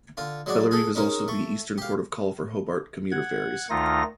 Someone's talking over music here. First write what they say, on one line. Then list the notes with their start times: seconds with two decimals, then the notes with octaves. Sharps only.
Bellerive is also the eastern port of call for Hobart commuter ferries.
0.17 D3 F4
0.46 F#3 G#3 F#4 D5
0.71 G#4 A4
0.95 G#3 C#4 D#4 A#4
1.28 A3 C#6
1.78 G4 F5
3.12 F#5 G#6
3.70 D2 D#3 A3 D#4 F4 A#6